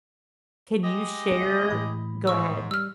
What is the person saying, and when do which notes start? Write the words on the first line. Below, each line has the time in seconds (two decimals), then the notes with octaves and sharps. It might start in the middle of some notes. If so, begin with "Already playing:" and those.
Can you share Go ahead.
0.83 G#3 G4 D#5
1.70 A2 E3 B5
2.27 G#2 C#6 E6
2.71 G3 E6 F6